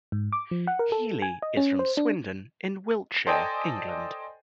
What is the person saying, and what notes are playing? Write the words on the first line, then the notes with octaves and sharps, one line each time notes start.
Healey is from Swindon in Wiltshire, England.
G#2
D6
F3
F#5
A#4
A4
G#5
D#5
C#4
C5
D4
A4 C5 D5 D#5 G5 G#5